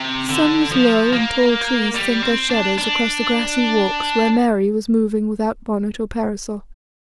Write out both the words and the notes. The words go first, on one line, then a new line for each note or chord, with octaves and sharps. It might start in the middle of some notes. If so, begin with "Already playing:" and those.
The sun was low, and tall trees sent their shadows across the grassy walks where Mary was moving without bonnet or parasol.
Already playing: C3
D3
F3
A#3
G3
C4
D4
D4